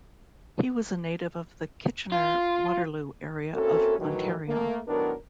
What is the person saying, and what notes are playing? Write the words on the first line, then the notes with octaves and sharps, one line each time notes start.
He was a native of the Kitchener-Waterloo area of Ontario.
F4
A#3 C4 C#4 E4 F#4 A4
A2 D#3 E3 F#3
A3 A#3
A2 D#3 F#3 B3 D4 A#4